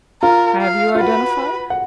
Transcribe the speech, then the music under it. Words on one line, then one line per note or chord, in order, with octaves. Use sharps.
'HAVE you identified?'
F4 A#4
F5
F4
F#4 B4
F#5